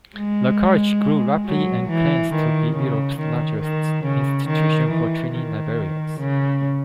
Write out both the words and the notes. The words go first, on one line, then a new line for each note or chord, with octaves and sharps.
The College grew rapidly and claims to be Europe's largest institution for training librarians.
G#3
F#3
E3
D#3
C#3
D#3
D#3
C#3
D#3
E3
D#3
C#3